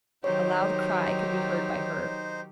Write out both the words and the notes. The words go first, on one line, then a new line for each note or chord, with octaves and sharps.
A loud cry could be heard by her.
D#3 F#3 D#4 G4 C5 C#5